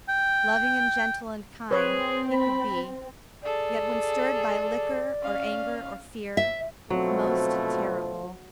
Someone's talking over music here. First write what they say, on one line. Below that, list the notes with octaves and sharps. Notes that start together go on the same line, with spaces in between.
Loving and gentle and kind he could be, yet when stirred by liquor, or anger, or fear,--most terrible.
G5
C4 G#4 B4 C#5
B5
G#4 A4 D5
C#4 F5
E5
B2 D3 F3 F#3 A3 C4